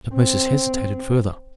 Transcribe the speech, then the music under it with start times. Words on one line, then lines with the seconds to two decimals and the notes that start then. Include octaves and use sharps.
Tutmosis hesitated further.
0.14 C4